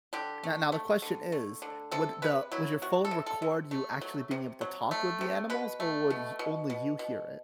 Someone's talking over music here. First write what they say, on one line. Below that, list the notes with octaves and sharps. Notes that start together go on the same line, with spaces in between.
now now the question is, would the would your phone record you actually being able to talk with the animals, or would you only you hear it?
D3 G4
A3
A3
D3
A3
D3
C3 A4
C3 B4
F#3 E4
C3 F#4
A4
C3
A4
C3
A3
F#3
C3
F#3
A3
C3
B2 B4
A3
B2
B2
B2
B2